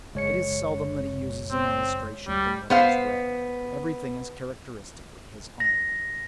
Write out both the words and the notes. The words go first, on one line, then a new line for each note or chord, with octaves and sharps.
It is seldom that he uses an illustration from what he has read; everything is, characteristically, his own.
F#1 G#3 C#5 C#7
C4
D2 G3
B3 C5 F5
A#6